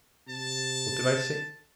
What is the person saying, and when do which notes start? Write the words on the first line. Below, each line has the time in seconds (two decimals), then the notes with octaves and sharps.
What did I say?
0.28 C3 A5